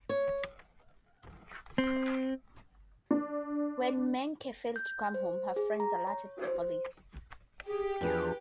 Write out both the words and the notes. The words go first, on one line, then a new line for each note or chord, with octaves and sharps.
When Menke failed to come home, her friends alerted the police.
C#5
C4
D4
G6
C5
G#4
A#5
C#5
C5
G4 G#4
E2 F3 D4 G#4 B4